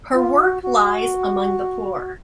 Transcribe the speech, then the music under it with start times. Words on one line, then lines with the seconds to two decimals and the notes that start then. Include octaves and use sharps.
Her work lies among the poor.
0.14 F4
0.38 F#4
0.63 F#4